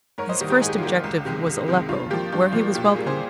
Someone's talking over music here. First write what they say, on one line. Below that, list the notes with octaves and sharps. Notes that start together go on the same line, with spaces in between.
His first objective was Aleppo, where he was welcomed.
G#2 A#4 C#5
C5 D#5
D#3 G3 A#3
G4 A#4
G#2 G#4
G4
F4
D#3 G3 A#3 G4
C#2
C3 D#3 G#3
C#2
C3 D#3 G#3
G2 F4
F3 A#3 G4
G2 G4
F3 A#3 F4
A#2 G4
F4 G#4
G3 A#3
G#4 C5